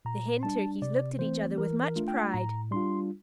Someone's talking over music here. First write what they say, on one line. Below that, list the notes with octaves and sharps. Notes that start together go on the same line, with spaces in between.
The Hen Turkeys looked at each other with much pride.
A#2 A#5
G3 D4 A5
C3 D5
E3 A3 C4 C5
E3 A#4
A#4
A3 D4 F4
G5
A2 A#5
G3 D4 F4 C6